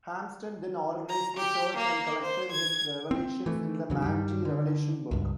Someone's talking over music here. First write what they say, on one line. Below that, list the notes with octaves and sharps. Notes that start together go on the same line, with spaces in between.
Harmston then organized the church and collected his revelations in the "Manti Revelation Book".
A#5
G4
A#3
C5
G#6
C4
E3 A3
D#2 C#3 F#3
G2 D#3 G3
D3
C#2 G2